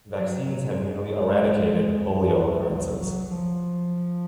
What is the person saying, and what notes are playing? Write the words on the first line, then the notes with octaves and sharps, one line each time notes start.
Vaccines have nearly eradicated Polio occurrences.
F#3
F#3
F#3
G#3
B3
A3
G#3
F#3
F#3
F3